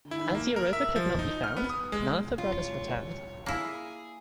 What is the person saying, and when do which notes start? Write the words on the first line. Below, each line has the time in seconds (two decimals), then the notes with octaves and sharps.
As Europa could not be found, none of the brothers returned.
0.11 E4
0.35 A#3
0.56 A#4
0.73 E5
0.96 F3
1.19 D#4
1.44 F6
1.57 B3
1.70 D#6
1.92 G#3
2.38 F4 C#5
3.46 A#3 E4 G#4